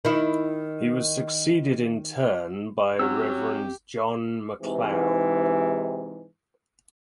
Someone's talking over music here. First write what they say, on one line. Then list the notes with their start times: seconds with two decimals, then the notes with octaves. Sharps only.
He was succeeded in turn by Rev John Macleod.
0.05 D#3 E4
2.99 F#3 C4 C#4 G4 E6
4.62 G#2 C3 E3